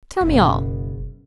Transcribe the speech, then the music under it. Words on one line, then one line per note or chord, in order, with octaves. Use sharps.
Tell me all.'
F#1 B2